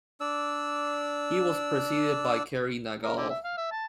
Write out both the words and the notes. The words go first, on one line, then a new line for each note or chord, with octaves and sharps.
He was preceded by Kerry Nagel.
D4 D5 E6
A#4
D3
E5
F5
E5
A5